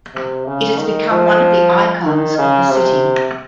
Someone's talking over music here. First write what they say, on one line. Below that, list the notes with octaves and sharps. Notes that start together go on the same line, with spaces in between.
It has become one of the icons of the city.
C3
C#3
D#3
F3
D#3
C#3
C3